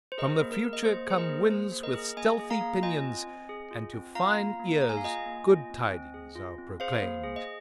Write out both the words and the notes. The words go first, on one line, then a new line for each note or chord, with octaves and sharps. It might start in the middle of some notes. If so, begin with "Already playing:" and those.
From the future come winds with stealthy pinions, and to fine ears good tidings are proclaimed.
C5
G#4 A#4 D#5
A#3
A#4
G#4
D#5
A#3 C5
G#4 C5
A#4 D#5
A#3
G#4 C5
A#3
A#4 D#5
G#4
A#3 D#5 G#5
G#4
F5 A#5
A#3
F4 D#5 G#5
C4
C4
G#4
F4
C4
F4 F5 A#5
A#3
A#3
G#4 A#5
G#5
F5
F4 D#5 G#5
A#3
F4
C4
C4
G#4
F4
C4
G#4 C5 F5
A#3
G#4
D#5